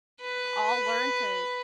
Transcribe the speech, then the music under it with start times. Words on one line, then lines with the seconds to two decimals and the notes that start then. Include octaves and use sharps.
all learn to,
0.21 B4